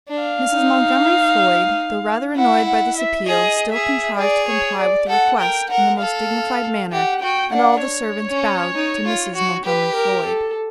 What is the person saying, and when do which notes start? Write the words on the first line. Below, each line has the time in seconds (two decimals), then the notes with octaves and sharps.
Mrs. Montgomery Floyd, though rather annoyed by this appeal, still contrived to comply with the request in the most dignified manner; and all the servants bowed to Mrs. Montgomery Floyd.
0.08 D4
0.23 F5
0.53 D#4
2.36 E4 F#5
2.67 F#5
2.97 E5
3.27 G#4 D#5
3.73 G#4 E5
4.18 G#4 D5
4.49 C#5
4.79 D5
5.09 A4 F#5
5.40 A#4 G5
5.70 A#4 F#5
6.01 A4 F5
6.92 G4 F#5
7.22 F#4 G5
7.53 D4 F#5
7.83 C#5
8.29 C#4
8.75 D#4
9.05 F4
9.35 F#4
9.65 G4 B4
9.95 A#4
10.27 A4